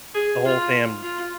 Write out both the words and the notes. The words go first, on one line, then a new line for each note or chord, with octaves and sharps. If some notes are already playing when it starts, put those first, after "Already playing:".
the whole fam
G#4
F4
F4